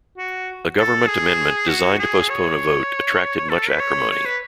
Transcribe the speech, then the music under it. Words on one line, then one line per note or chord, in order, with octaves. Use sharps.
A government amendment designed to postpone a vote attracted much acrimony.
F#4
A4
G#4
F#4
G#4
C#5
A4
B4
C#5
C#5
B4